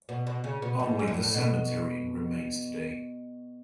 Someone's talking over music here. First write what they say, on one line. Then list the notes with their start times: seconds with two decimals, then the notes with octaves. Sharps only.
Only the cemetery remains today.
0.09 B2
0.27 B2
0.44 C#3
0.62 B2
0.79 G#2
0.99 G#2
1.08 A2
1.23 A2
1.34 B2